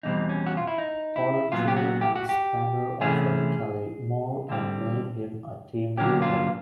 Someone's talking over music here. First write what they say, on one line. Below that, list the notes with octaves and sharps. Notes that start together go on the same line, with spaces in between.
Pollentier and Splendor offered Kelly more and made him a team leader.
E2 B2 G3 C4 D#4
C#4
F#4
F4
E4
D#4
E4
A#2 F#3 B3 F4
G4
F#4
G4
F#4
G4
C3 E3 A3 C#4 G#4
D3 G3 C4
D3 F#3 A#3 C#4 G4
F4